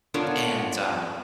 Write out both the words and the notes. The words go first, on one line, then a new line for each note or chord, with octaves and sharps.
And, um
B3 D4 F4 A4 A#4 C#5